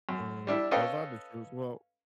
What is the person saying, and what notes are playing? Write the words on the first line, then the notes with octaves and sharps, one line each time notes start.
Mm, well if I had to choose, well,
F#2
G3 D4 E4
C#4 A4 B4 D#5 F5 G5